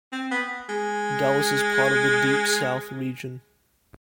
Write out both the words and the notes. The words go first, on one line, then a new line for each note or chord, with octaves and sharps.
Dallas is part of the Deep South region.
C4
B3
G#3